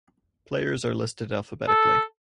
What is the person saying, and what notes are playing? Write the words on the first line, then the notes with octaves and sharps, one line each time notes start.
Players are listed alphabetically.
A4